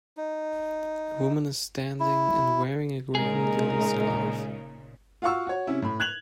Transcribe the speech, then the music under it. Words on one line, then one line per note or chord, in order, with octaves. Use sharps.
A woman is standing and wearing a green and yellow scarf.
D#4
E4
A#2 C#3 G#3 D#4 G#4 A#4
F4 F#4 F5 F#5 C#6 E6
F#4 C#5
C3 C#4 E4
A2 B5
F#6 G#6 F7 F#7